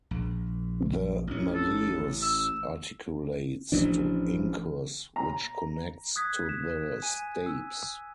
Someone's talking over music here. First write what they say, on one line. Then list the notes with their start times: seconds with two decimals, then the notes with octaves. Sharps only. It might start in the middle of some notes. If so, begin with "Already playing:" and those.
The malleus articulates to incus which connects to the stapes.
0.11 A#1
1.27 A1 C#4
1.55 A4
2.22 E6
3.72 A1 E3 F3 D4
5.16 A#5
6.16 D#6 F#6 G#6 B6
6.46 B6 E7
7.02 G#5 D#7
7.46 E6